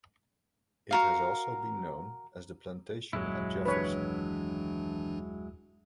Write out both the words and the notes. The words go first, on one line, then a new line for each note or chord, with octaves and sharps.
It has also been known as the Plantation at Jefferson.
F#4 A#4 F5
D#1 F#2 A#2 F#3 G#3 E4
G#1 E3 D4 B4 C#5